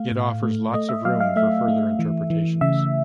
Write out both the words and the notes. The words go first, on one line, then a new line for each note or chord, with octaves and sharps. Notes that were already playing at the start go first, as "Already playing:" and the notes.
It offers lots of room for further interpretations.
Already playing: A3 F5
A2
A3
A3 D#5
E5
F#3 F5
F5
A3 E5
A3
E3
E3
C#3 E5